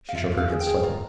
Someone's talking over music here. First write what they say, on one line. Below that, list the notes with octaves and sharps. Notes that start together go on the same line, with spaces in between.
She shook her head slightly.
F5
F4 E5
F4
F5
G#4
G5
G#4
F4 A#5